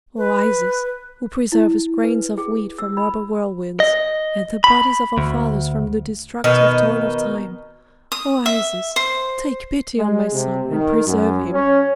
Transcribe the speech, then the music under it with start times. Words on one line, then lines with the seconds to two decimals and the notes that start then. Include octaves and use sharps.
O Isis, who preservest grains of wheat from robber whirlwinds, and the bodies of our fathers from the destructive toil of time, O Isis, take pity on my son and preserve him!
0.18 B4
1.52 E4
2.04 B4
2.38 G#4
2.79 E6
2.97 B5
3.80 D#5
4.64 B5
5.18 D2
6.44 B2 D#3 D#4
8.12 D#6
8.46 E5
8.96 C5
9.98 G#3
10.33 C3
10.70 D#3
11.06 F#2
11.52 C#4